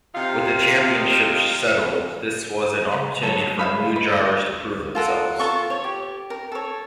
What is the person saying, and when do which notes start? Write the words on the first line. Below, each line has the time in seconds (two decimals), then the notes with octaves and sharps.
With the championship settled, this was an opportunity for new drivers to prove themselves.
0.15 C3 D#4 F4 F5
2.93 C#3
3.23 B2 F#3 A4
3.59 G#3 E5 F5 B5
3.96 B4
4.95 F4 A4 A#4 F#5
5.39 F4 A4 C6 C#6
5.70 C#5
5.84 G4
6.30 A#4
6.52 A4 C#5